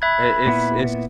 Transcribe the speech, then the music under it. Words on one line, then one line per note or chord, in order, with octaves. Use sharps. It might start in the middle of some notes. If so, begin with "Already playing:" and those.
i it's it's
E5 B5 F#6 G#6
A#2 B3 E4